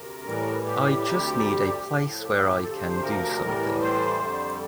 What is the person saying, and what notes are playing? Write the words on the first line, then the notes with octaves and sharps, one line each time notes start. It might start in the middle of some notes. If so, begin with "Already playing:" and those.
I just need a place where I can do something.
Already playing: D2 C3 A#4
A2 E3 G3
G4
D2 C3 G3
A2 F3
A4
G4
G4
D2 C3 F3 A4
C5
C5
A#4
A2 E3 G3
C5
F2 D3 G3